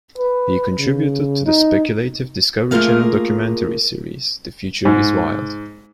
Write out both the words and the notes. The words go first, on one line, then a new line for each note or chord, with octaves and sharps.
He contributed to the speculative Discovery Channel documentary series "The Future Is Wild".
B4
C#3
D#4
A3 A#3 F4 G#4 A#4 F5
G#2